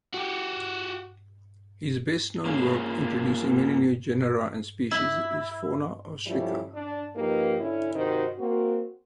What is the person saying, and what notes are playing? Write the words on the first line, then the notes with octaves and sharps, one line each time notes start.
His best-known work, introducing many new genera and species is Fauna Austriaca.
F#4 G4
A#3 C#4 F4 G#4
E4
F3 G3 A3 C#4 E4
D4
F3 A#3 D#4 G4 B4
D3 C#4 E4
C3 D#3 D#4 F#4 C5
A#3 C4 F#4